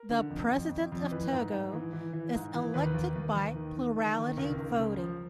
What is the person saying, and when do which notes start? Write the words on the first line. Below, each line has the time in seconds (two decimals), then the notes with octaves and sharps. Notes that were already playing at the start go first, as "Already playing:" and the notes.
The President of Togo is elected by plurality voting.
Already playing: A#4
0.10 D3
0.30 F2
0.51 F2
0.71 F2
0.92 F2
1.11 E3 B4
1.33 G#2
1.53 G#2
1.73 E3
1.93 E3
2.13 E3
2.34 G#2
2.54 E3
2.74 D#2 B4
2.94 D#2
3.16 D#2
3.36 D#2
3.56 D#3
3.77 D#3
3.96 D#3
4.17 D#3
4.37 C#2 A#4
4.58 C#2
4.78 C#3
4.98 F3